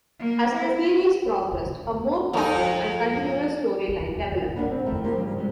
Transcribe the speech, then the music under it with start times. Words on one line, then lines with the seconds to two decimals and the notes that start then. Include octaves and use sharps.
As the series progressed, a more complex and continuous storyline developed.
0.19 A#3
0.54 E4
2.33 F2 D#4
4.56 A#3 B3 C#4 D4 G#4 B4
4.71 C4
4.86 F2 A3 E4 A#4 G5
5.04 F3 A#3 G4 C5
5.16 G2 C#3 F3
5.36 C3 G3 G#3